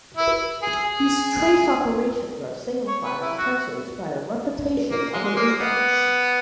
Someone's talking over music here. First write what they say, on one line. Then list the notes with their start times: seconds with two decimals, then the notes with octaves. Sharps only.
These trace operations are signified on tensors by the repetition of an index.
0.17 E4
0.62 G#4
0.85 G#4
2.87 C#5
3.04 B4
3.21 E4
3.38 F#4
4.91 A#3
5.13 G#3
5.25 G#3
5.36 A#3
5.58 B3